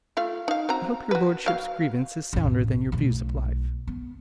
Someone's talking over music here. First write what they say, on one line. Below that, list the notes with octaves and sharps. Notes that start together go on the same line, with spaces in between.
I hope your lordship's grievance is sounder than your views of life.
A3 F4 F5
D#4 F5
C4 F#4 A#5
F#4 B4
F#3 F5
A1 E2
B1 A3
B3